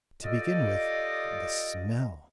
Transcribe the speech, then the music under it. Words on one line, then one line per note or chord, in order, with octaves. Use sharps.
To begin with the smell.
F4 G4 A4 D5 D#5